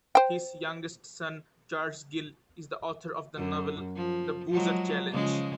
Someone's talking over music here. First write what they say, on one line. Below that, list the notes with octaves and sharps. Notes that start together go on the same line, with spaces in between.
His youngest son, Charles Gill, is the author of the novel The Boozer Challenge.
C5 G5
F#2
F3
F3 F#3 G#3
C#3 F3 G#3